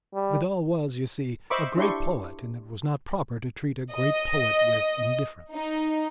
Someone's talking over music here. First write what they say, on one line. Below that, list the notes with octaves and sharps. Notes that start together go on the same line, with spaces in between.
Vidal was, you see, a great poet and it was not proper to treat a great poet with indifference.
G3
C5 D#5 E5 B5 C#6 D6
D4 E4 G4 C6 C#6
D#5
D#4